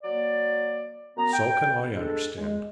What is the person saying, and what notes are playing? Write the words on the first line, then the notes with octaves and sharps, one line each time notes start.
'So can I understand.
F#3 A#3 D5
F#2 B3 A#5
G5
G#3 D4 A4
G#3